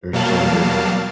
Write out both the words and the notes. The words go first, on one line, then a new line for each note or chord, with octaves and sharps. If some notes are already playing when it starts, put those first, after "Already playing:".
There's so many.
B2 F#3 G3 A#3 F5 A5